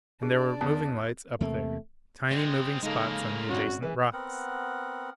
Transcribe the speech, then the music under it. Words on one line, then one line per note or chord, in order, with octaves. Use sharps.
And there were moving lights up there, tiny moving spots on the adjacent rocks.
D4 G#4 D5
E2 A5
E2 C3 A3 A#3
G#3 C4
C#3 G#3 A#3 D#4 A4
G#1 C#4 F#4
E3 G#4 B4
B3 C4 A#4 F#5